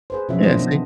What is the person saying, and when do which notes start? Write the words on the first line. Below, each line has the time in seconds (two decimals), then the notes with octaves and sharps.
yeah, see
0.10 G#4 B4 C5
0.29 B2 F3 F#3 C#4 E5
0.42 D#3 F3 D4 C5 D#5
0.57 B2 B3
0.71 C4